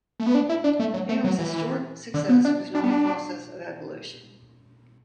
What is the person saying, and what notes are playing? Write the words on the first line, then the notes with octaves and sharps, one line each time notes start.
New York’s historic success was not a process of evolution.
A3
B3
D4
E4
D4
A3
F#3
A3
F#3
E3
D3
B3
D4
D4
B3
D4